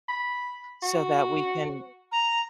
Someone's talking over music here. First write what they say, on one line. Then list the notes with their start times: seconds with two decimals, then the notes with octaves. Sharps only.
so that we can,
0.08 B5
0.83 F#4
2.12 A#5